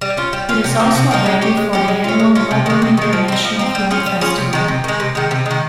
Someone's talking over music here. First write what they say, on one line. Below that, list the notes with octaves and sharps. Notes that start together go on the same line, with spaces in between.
It is also a venue for the annual Melbourne International Film Festival.
G3
C#4 F4
G3
C#4 F4
C3
F3 A#3 D#4
C3
F3 A#3 D#4
G#3
C#4 G4
G#3
C#4 G4
G#3
C#4 F4
G#3
C#4 F4
C3
D#3 G#3
C3
D#3 G#3
F3
C4 D#4
F3
C4 D#4
G3
C#4 F4 G#4
G3
C#4 F4 G#4
C3
D#3 G#3
C3
D#3 G#3
C3
D#3 G#3
C3
D#3 G#3